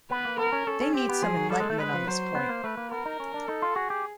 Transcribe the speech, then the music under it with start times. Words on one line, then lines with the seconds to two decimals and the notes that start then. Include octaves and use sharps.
They need some enlightenment on this point.
0.10 B3 B4
0.25 A#3
0.38 B3 A#4
0.52 C#4
0.67 C#4 A4
0.81 C#4
0.94 C4 G4
1.09 B3
1.22 F3 G#4
1.37 F#3
1.50 G3 A4
1.60 G#3
1.70 A3
1.79 G#3 B4
1.94 F3
2.07 F#3 C5
2.35 B3
2.49 A#3
2.64 A3 B4
2.77 A#3
2.91 B3 A#4
3.06 D#4
3.20 C#4
3.34 D4
3.48 D#4 A4
3.62 F4
3.76 F#4 G#4
3.90 G4